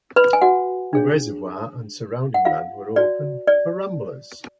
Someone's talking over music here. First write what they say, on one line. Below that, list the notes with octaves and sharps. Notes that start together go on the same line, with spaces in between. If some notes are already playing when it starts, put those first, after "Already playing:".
The reservoir and surrounding land are open for ramblers.
B4 B5
G#5
F#4 F#5
D4 G#4 C#5
F#5
F4 F5
F#4 C#5 D5
D5